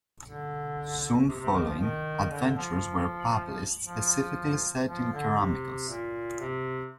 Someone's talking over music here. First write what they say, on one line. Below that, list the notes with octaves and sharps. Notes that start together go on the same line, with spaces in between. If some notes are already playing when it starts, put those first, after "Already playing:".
Soon following, adventures were published specifically set in Karameikos.
D3
C3
C3
D#3
F3
D#3
D3
F3
F3
F3
D3
C3
A#2
C3